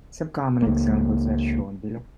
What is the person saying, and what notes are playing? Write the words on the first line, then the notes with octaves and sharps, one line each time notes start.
Some common examples are shown below.
C#2 A#3